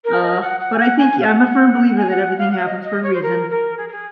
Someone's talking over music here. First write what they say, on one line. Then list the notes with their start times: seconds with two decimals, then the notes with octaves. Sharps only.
Aw, but I think y I'm a firm believer that everything happens for a reason.
0.04 A#4
0.22 D#5
0.41 F#5
0.60 F#5
0.74 G#5
0.79 F#5
0.97 G#5
1.20 F5
1.25 F#5
1.97 G#5
2.10 F#5
2.38 F5
2.51 F#5
2.57 F5
2.65 D#5
2.84 D#5
3.02 C#5
3.13 C5
3.22 A#4
3.49 A#4
3.77 G#4
3.88 A#4
3.91 G#4